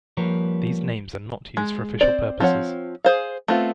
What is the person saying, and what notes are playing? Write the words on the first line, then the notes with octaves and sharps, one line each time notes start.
These names are not used for official purposes.
F3 G3 A#3 A#4 B4 C#5
G#3
C4 C5 D5
F3 C4 F4 C#5 F#5
G#4 C5 F5
A3 B3 C4 F4